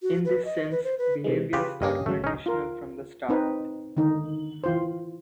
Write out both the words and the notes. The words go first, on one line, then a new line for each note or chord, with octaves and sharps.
In this sense behaviours are conditional from the start.
F#4
B4
D#5
B4
C5
B4
C3 E3 G#3
C#3 F4 G4 B4
G2 A#3 C#4 G4 D#5
G#1 C#3 F#3 A3
C#4 D#4
F4 A#4
C4 D#4 B4
D3 D#3 D#4
E3 F4 C5